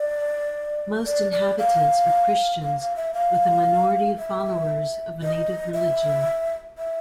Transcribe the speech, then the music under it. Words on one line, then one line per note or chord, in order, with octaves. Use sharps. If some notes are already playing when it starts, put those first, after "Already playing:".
Most inhabitants are Christians with a minority of followers of a native religion.
Already playing: D5
D5
D5
F5
F5
F5
E5
F5
E5
D#5
E5
E5